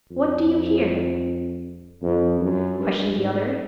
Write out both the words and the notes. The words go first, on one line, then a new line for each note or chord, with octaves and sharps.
'What do you here?' questioned the other.
F2
F2
F#2
G2
G#2